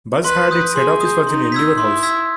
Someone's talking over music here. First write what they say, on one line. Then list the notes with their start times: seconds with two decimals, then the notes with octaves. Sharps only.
Buzz had its head office was in Endeavour House.
0.25 B4 C6
0.51 D#6 G6
0.76 G#4 C6
1.01 D#6 G6
1.26 D#4 C6
1.52 E6 G#6 B6
1.78 E4 C6
2.03 E6 G#6 B6